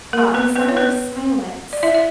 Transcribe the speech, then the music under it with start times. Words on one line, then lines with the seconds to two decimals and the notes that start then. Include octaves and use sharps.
uh, The Sound of Silence.
0.13 A#3 A#4
0.34 B3 B4
0.56 B3 B4
0.69 C#5
0.76 B3 B4
1.73 D5
1.83 E4 E5
1.94 E5